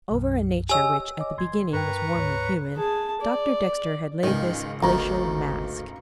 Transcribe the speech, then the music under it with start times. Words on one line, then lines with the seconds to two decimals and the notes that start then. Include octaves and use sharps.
Over a nature which, at the beginning, was warmly human, Doctor Dexter had laid this glacial mask.
0.11 B1 F#2
0.69 G4 C#5 D#5 G#5 E6
1.19 C#5 D#5 D6
1.38 G1 C6 G#6
1.73 G2 A#4 B4 G5 A#5 C#6
2.15 D2 G#2 C#5
2.76 G#4 A5
3.22 D5
4.23 C#2 G#2 D#3
4.83 G1 D2 D#3 A#5